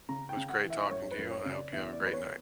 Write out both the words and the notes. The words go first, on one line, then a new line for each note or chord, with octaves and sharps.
It was great talking to you, and I hope you have a great night.
C#3 A#5
G5
C#3
F#5
E3
E5
F#2 C#5
B4
F#2
C#5
C#3
D5
E2 E5
D5
E2
B4
C#5